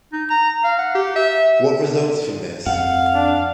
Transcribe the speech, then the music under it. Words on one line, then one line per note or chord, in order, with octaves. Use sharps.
What results from this?
D#4
A#5
F5
F#5
G4
E5
F2 F5 F#5
D4